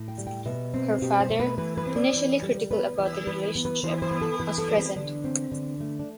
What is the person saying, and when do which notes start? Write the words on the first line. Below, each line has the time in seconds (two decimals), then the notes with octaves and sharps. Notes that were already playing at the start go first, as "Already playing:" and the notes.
Her father, initially critical about their relationship, was present.
Already playing: A2
0.08 G5
0.18 G3
0.27 G5
0.45 B2 E5
0.74 C4
1.02 B2 G4
1.20 C5
1.30 A3
1.40 B4
1.58 E3 B4
1.77 B4
1.86 C4
1.96 D5
2.14 E3
2.43 G3
2.71 B3 B4
2.99 E3
3.27 E3 B4
3.55 B3
3.65 B4
3.83 E3 C5
4.02 C5
4.11 B3
4.21 A4
4.40 E3 B4
4.58 A4
4.68 G3
4.77 C4
4.96 D3 D4
5.24 C4
5.52 D3
5.80 A3
5.99 D4